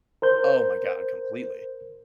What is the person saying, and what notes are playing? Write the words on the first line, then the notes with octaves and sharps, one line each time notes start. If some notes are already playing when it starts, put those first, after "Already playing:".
Oh my god, completely.
A#4 C5 G6